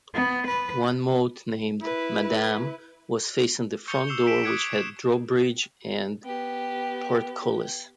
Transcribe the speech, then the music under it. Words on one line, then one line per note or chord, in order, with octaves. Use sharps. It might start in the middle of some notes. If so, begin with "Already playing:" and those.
One moat, named "Madame" was facing the front door which had drawbridge and portcullis.
B3
B4
E4 B4
C#6 G6 C#7 F7 G7
D6 E6 C7 E7 F7 G7
B6 D7 E7
D6 D#6 F#6 G#6 C#7 D7
E7
B3 G4